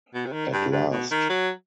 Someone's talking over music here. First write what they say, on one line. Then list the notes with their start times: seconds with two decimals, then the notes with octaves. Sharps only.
At last!
0.14 B2
0.26 C3
0.32 D#3
0.53 G2
0.72 G2
0.91 B2
1.11 D#3
1.29 F#3